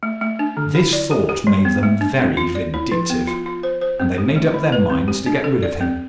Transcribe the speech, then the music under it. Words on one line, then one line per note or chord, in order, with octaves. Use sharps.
This thought made them very vindictive, and they made up their minds to get rid of him.
A3
A3
D4
D3
E4
D5
G4
G4
G3
B3
A3
D4
C4
F4
D5
E4
F3
B3
F4
F4
C5
C5
C4
G4
A3
E4
B4
C4
G4
D4
A4
D5
C4